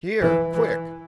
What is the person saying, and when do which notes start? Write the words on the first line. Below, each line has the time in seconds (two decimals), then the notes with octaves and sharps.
"Here, quick!"
0.21 E3
0.54 E3